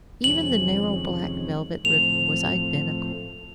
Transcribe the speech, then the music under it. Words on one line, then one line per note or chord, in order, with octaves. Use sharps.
Even the narrow black velvet ribbon was identical.
F2 C3 D#3 G#3 C#4 F#7
A2 F3 A3 C4 F7